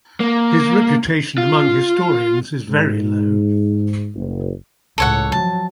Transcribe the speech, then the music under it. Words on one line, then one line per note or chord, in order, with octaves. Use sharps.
His reputation among historians is very low.
A#3
F4
G#2
F#1
C#2 A2 A4 C#5 F#5
F3 F#3 A5